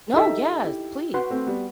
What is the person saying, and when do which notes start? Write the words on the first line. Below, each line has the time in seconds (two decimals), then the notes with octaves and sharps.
No, yes, please.
0.14 D#4 E4 G4 A4 E5
0.64 E4 G4
1.14 F#4 B4 F#5 C6
1.30 A3 C4
1.47 G3 B3